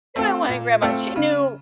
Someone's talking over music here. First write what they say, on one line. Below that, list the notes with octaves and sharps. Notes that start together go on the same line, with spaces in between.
and my Hawaiian grandma, she knew
A3 C4 F4 A4
A#2
A3 C4 F4 A4
C#3